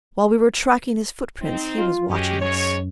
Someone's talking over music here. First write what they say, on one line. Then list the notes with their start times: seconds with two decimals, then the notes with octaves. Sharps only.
While we were tracking his footprints he was watching us.
1.42 C4 D#4
1.77 F4
2.09 F#2 G#3 C#4 G4
2.40 G#2 G#4 C#5